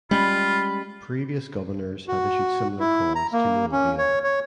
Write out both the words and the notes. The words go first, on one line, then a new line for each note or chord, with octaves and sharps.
Previous governors had issued similar calls to no avail.
G3 G#3 C#4 F4 B5
F#4
E4
A#5
A#3
C#4
C#5
C#5